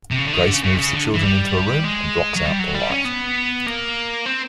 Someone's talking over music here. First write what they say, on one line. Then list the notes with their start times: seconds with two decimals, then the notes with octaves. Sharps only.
Grace moves the children into a room and blocks out the light.
0.11 C3
0.19 C#3
0.25 D3
0.33 D#3
0.43 D3
0.53 C#3
0.64 C#3
0.74 C3
0.78 C#3
0.93 D3
1.14 E3
1.23 G3
1.84 G#3
2.36 F#3
2.45 G3
2.59 F#3
2.74 G3
2.90 C#4
3.05 B3
3.66 A#3
4.26 C4